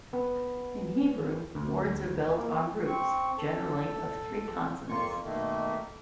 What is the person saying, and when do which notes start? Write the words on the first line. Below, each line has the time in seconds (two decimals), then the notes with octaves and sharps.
In Hebrew, words are built on "roots", generally of three consonants.
0.13 B3
1.55 D2
2.38 A#3
2.87 C4 C#6
3.38 A4
4.89 F2 A#3 F4 C#6
5.24 B2 D#3 A3 A#3